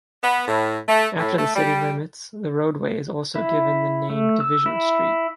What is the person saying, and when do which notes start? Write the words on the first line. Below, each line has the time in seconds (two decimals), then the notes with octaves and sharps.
After the city limits, the roadway is also given the name Division Street.
0.23 B3
0.48 A2
0.89 A3
1.19 A2
1.38 A3
1.56 G3
3.36 E4
4.10 A3
4.40 E6
4.66 E4